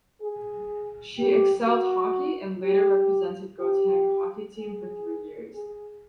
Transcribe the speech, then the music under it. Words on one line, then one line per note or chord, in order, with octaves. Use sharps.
She excelled hockey and later represented Gauteng hockey team for three years.
G#4
G4
F#4
G4
G4
G#4
G#4